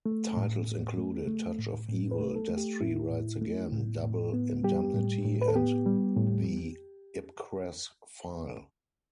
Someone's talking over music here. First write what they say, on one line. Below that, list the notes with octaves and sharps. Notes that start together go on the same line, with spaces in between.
Titles included, Touch of Evil, Destry Rides Again, Double Indemnity and The Ipcress File.
A3
A2
A2
A3
A3
A2
A2
B4
A3
A4
A3
G4
A2 E4
A2
A3
A2
A2
B3
G3 G4
A2
A2
B4
A4
B3 G4
G3
A2